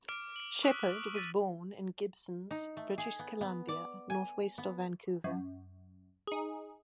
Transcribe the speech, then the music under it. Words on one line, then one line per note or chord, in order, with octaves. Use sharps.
Sheppard was born in Gibsons, British Columbia, northwest of Vancouver.
D6 F6 D7
D7 F#7
C#6 D#6 E6 F#6 B6 D7
E6 A6 B6 D#7
D#4
A3
G#4
B3
B3
D5
G#5
B3
F#2
D#4 G#4